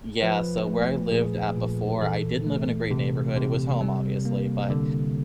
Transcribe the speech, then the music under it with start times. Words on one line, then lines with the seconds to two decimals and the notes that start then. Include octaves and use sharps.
Yeah, so where I lived at before, I didn't live in a great neighborhood. It was home obviously, but
0.23 F3 B4
0.68 A3
1.12 A#2 G#4
1.57 A#2
2.02 E3 A4
2.47 A3
2.91 C3
3.36 C3
3.81 G3
4.25 A#3
4.70 D3